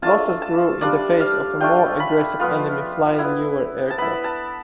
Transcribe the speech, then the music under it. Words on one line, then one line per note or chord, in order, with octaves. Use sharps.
Losses grew in the face of a more aggressive enemy flying newer aircraft.
A3 D4 F4 A5
A5
G3 D4 F4 D5
F5
A3 D4 F4 G5
B5
F3 B3 F4
B3 E4
A5
B3 E4 B5
A5